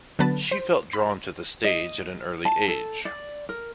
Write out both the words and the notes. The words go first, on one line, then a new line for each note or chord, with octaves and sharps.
She felt drawn to the stage at an early age.
D3 F#3 B3 B4 A5 A6
C5 B6
B5
D#5
A5
A4
D5
A#4